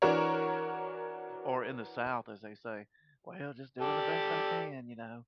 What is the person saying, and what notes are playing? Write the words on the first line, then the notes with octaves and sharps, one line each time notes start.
Or in the South, as they say, "Well, just doing the best I can, you know,
E3 D4 F#4 A#4 C#5
G4 A4 D5